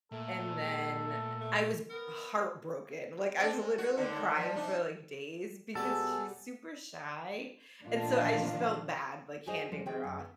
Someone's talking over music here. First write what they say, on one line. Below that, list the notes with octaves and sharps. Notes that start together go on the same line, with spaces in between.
and then, eh, I was heartbroken, like, I was literally crying for, like, days because she's super shy, and so I just felt bad, like, handing her off.
A#2 A3 A4
G#3
A3
A3
B3 A#4
C4 D4
G#3
F#4
D#2 D3 D#3
A#2 F3
C3 D4 D#4
B2 F#3 G3 G#4 A4 D5 G#5
A#2 D#3 F3 D4 F4
D#4 F#4 G#4 C5 D#5
F3 G3 G#3
D#3 C4 G#4 G5
F#2 G#3
B3